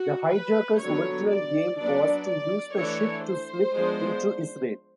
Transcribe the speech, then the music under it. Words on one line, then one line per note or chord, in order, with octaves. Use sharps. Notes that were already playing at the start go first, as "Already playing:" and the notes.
The hijackers' original aim was to use the ship to slip into Israel.
Already playing: F#4
B4
D3 F#3 B3 C#5
D5
F#3 B3 D4 D5
D5
E3 A3 D4 C#5
C5
F3 G#3 B3 D4